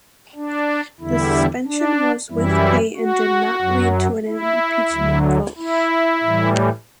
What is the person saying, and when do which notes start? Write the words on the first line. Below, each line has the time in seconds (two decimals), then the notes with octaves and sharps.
The suspension was with pay and did not lead to an impeachment vote.
0.35 D4
1.00 E2 D3 G3 E4
1.66 D4
2.31 F#2 E3 G3 E4
2.96 F#4
3.61 F#2 F#3
4.27 E4
4.93 D2 D3 F#3
5.58 E4
6.23 A2 E3 G3